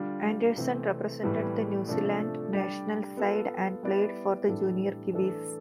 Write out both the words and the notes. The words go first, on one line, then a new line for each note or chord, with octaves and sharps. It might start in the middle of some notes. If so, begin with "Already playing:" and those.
Anderson represented the New Zealand national side and played for the Junior Kiwis.
Already playing: D3 G3 D4 F4
C3 E3 A3 C4
A2 E3 G3 B3
C3 F3 A3 D4 A4
G3 D4 G4 D5
B3 F4 A4
G3 B3 E4 B4 D5
A2 E3 G3 D4 A4
E3 A3 D4 A4